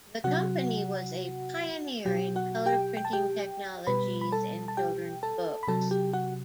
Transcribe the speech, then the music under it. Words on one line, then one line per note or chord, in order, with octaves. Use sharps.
The company was a pioneer in color printing technologies in children's books.
C3 F#3 F#4 F#5
B2 F#3 G4 G5
F#4 F#5
G4 G5
G5
A5
G4 G5
B2 G3 B4 B5
B5
A4 A5
A5
G4 G5
A4 A5
B5
C3 F#3 A4 A5
G4 G5
F#4 F#5